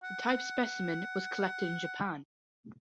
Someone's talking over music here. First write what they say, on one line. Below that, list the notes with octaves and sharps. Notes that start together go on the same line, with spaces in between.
The type specimen was collected in Japan.
F#5
F#5